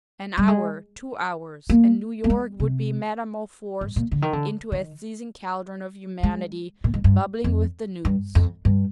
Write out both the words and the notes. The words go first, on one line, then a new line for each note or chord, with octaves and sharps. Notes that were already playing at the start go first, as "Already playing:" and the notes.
An hour, two hours, and New York would be metamorphosed into a seething caldron of humanity bubbling with the news.
G3
G#3
A#3
A#3
G#3
C3
G#2
A#2
D3
D#3
D3
D#3
G#3
A#2
G#2
G2
F2
G2
F2
G2